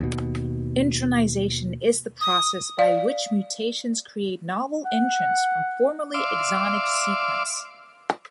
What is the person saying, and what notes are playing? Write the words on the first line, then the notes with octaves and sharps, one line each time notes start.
Intronization is the process by which mutations create novel introns from formerly exonic sequence.
D#2 B2
D#6
D5 F5
F#5
D5 E5 F5 C6 D6